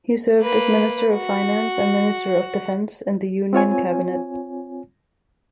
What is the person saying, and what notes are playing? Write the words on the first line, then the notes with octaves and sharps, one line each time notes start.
He served as Minister of Finance and Minister of Defence in the union cabinet.
A#3 B4
F#4
C4 F4 C#5 G#5